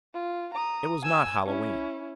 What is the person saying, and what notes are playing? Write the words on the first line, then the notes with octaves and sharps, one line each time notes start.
It was not Halloween.
F4
A#5 D#6
G#5 E6
C#4 E4